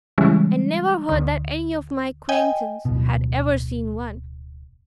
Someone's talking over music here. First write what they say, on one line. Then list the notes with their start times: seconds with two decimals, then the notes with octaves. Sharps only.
I never heard that any of my acquaintance had ever seen one.
0.18 C#3 E3 G3 G#3 C#4
1.09 D2 D3
2.29 D#5 G5 G#5
2.85 D1 B2